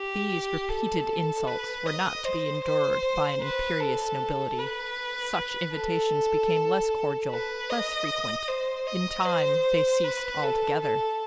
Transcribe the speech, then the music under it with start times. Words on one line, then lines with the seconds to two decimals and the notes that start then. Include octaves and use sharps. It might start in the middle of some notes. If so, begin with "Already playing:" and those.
These repeated insults were not to be endured by an imperious nobility. Such invitations became less cordial--less frequent--in time they ceased altogether.
Already playing: G4
0.69 A4
1.47 B4
1.86 D#5
2.25 C5
2.65 C5
3.41 B4
3.80 A4
4.58 B4
5.76 A4
7.31 B4
7.70 D#5
8.48 C5
8.87 D#5
9.25 C5
10.04 B4
10.43 A4
10.82 A4